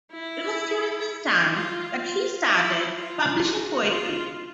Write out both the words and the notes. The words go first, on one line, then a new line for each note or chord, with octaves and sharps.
It was during this time that she first started publishing poetry.
E4
F4
F4
E4
F4
F#4
F4